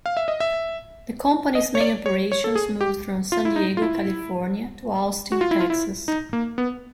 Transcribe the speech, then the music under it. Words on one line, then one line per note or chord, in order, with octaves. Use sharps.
The company's main operations moved from San Diego, California to Austin, Texas.
F5
E5
D#5
E5
D#5
C#5
D5
C#5
C#5
A4
G#4
G4
F4
E4
D#4
F4
E4
F#4
F4
E4
F4
E4
D#4
A#3
B3